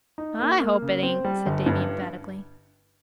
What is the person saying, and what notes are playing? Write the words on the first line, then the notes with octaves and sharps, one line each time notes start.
"I hope it ain't," said Davy emphatically.
D#4
A#3
A#3
C#3
C4
G3
G1
G2